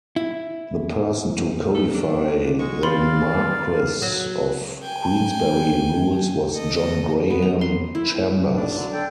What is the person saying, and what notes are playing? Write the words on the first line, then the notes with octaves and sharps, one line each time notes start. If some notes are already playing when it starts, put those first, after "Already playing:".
The person to codify the Marquess of Queensberry Rules was John Graham Chambers.
E4
A4
D4
G#3 F#4 C#6
C4 F4 D5 F5 B5 C6
F#3
G5 G#5
A4 D#5
B3
A#5
C6
E4
A2
D4
D3 F#3
A4 D5 G5